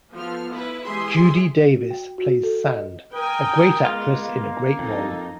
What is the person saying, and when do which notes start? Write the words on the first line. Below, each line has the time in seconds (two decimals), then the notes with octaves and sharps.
Judy Davis plays Sand-a great actress in a great role.
0.13 F3 B3 F4 A4 F6
0.53 E4 B4
0.85 E3 G#3 G4 G#4 E5 C6
1.72 F#4
1.91 G5
2.18 F#4
2.43 A4
2.67 D#5
3.14 A#4 G5 G#5 D#6
3.85 G#3 A#3 B3 F4 D#5
4.79 F2 D#4 A4